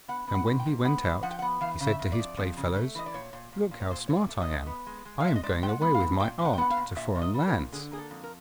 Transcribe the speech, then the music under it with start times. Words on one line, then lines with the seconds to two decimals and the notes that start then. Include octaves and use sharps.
And when he went out, he said to his play-fellows, 'Look how smart I am; I am going away with my aunt to foreign lands.'
0.08 B3 F#5
0.28 B3
0.34 F#5
0.47 G#2
0.60 G5
0.66 G#2
0.85 B3 F#5
1.04 G#3
1.23 F3 F#5
1.31 G5
1.39 F#5
1.42 B3
1.61 E3 F5
1.80 C#3
1.87 E5
1.99 F2
2.12 D5
2.19 F2
2.37 F2
2.57 C#3
2.76 A3
2.95 E3 D#5
3.06 D5
3.14 A#2 C#5
3.33 A#2
3.52 A#2
3.71 A#2
3.80 C#5
3.90 A#2 C5
4.08 A#2 C#5
4.16 D5
4.28 A3
4.42 D#5
4.48 A#2
4.67 B3
4.86 G#3
5.05 G#3
5.20 F5
5.24 G#3 E5
5.36 D#5
5.43 G#3 D5
5.63 G#3 G5
5.69 F#5
5.81 B3
5.94 F5
6.00 G#2
6.20 A#2 G5
6.39 A#2
6.45 F#5
6.53 G5
6.58 B3 F#5
6.71 F5
6.77 A#2
6.96 A#2 E5
7.15 A#2
7.22 D#5
7.34 G3
7.40 A4
7.47 A#4
7.53 A#2
7.73 D3 G#4
7.92 A#3 G#4
7.98 A4
8.11 F2
8.23 A#4